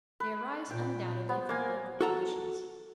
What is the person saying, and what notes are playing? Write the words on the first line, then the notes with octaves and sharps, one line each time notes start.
They arise undoubtedly from local conditions.
B4
A#2 G5
B3 C5
A#3 G#5
F#4 A4 A#5